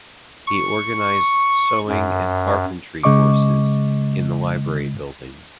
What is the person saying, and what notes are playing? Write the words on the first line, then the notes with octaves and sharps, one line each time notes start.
He organized sewing and carpentry courses in the library building.
C#6
F#2
C#3 G#3 D#5 C#6 D6